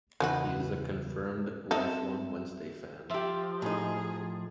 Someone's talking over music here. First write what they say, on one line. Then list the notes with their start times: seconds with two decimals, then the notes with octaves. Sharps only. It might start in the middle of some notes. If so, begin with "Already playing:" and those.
He is a confirmed lifelong Wednesday fan.
0.20 E2 C#3 F#3 D#4 F#4 B4
1.71 C4 D#4 A4 E5
3.11 F3 G4 E5
3.62 A2 D#4 G#4